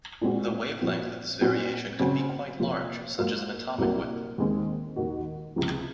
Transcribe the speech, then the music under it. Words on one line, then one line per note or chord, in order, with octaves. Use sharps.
The wavelength of this variation could be quite large such as an atomic width.
A#2 G#3 C4 F#4
A#2 F3 C4 F#4
A#2 F#3 C4 D#4 F#4
C#3 F#3 C4
C3 F3 A#3 F4
G#2 F#3 A#3 F4
C2 C3 F#3 A#3
D#2 D#3 G#3 C4
D#2 D#3 A#3 D#4 F#4
C#2 C3 F3